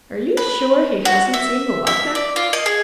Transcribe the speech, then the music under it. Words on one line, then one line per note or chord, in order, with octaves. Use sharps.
"Are you sure he hasn't seen the Love Magnet?"
B4
F#4
E5
E5
D5
F4
D#5
G#4